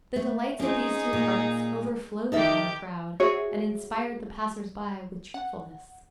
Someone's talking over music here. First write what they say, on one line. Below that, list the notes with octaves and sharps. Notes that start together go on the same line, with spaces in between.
The delights of these two hearts overflowed upon the crowd, and inspired the passers-by with cheerfulness.
A3
C4 C#4 D#4 G#4
A#2
D#3 D#4 G4 A4 E5
F#4 G#4 C#5 E5
F#5